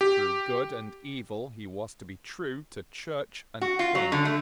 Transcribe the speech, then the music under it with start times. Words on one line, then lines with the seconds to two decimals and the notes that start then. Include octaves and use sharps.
Through good and evil he was to be true to Church and King.
0.01 G4
3.61 F#4
3.79 F4
3.95 F#3
4.12 D3
4.25 A3